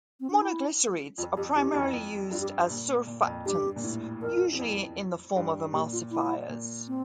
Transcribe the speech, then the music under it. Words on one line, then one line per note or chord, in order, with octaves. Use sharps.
Monoglycerides are primarily used as surfactants, usually in the form of emulsifiers.
C4
D4
E4
F2 F4
F2 G4
E2 G4
F2
F2
G2 F4
G4
C5
A#2
A#2
F2
G2 G4
A#2
A2
F2 A#4
E2
F2
G2
A#2 G4
F4
E4
A#2
C4